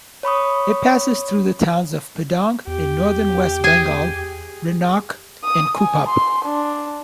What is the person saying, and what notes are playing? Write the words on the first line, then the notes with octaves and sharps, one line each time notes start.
It passes through the towns of Pedong in northern West Bengal, Rhenok, and Kupup.
C#5 B5 C#6 D#6
E2 G4
G#4 G#5
D#6
G#5
C6
D4